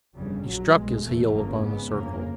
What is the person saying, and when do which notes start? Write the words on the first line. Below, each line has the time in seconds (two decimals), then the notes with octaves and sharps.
He struck his heel upon the circle.
0.15 G1 F2 C#3 G3
0.44 A#1 A#2 F#3
0.74 B1 B2 G#3
1.03 F1 E2 B2 A3
1.32 G1 F#2 C#3 A#3
1.61 G#1 G#2 B3
1.90 G1 F2 C#3 A#3